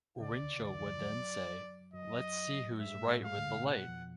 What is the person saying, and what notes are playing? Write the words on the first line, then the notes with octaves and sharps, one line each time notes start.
Winchell would then say, Let's see who's right with the light!
C#2 C#3 D5
D2 D3
D#2 D#3 D5
F2 F3
F#2 F#3
F#2 F#3 D#5
G#2 G#3 E5
A2 A3
A2 A3
G#2 G#3 F5
D2 D3
B2
B2 F#5
F2 F3